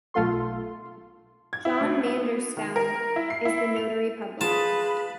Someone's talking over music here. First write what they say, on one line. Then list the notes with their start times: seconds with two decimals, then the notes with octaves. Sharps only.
John Manderstoun is the notary public.
0.14 B1 A3 F4 A4 C6
1.53 G#6
1.65 E4
1.81 D2
2.06 B3
2.57 D#3
2.76 A#4
3.16 E4
3.30 C7
3.45 E4
3.76 F7
4.41 F4 G#4 B4 A5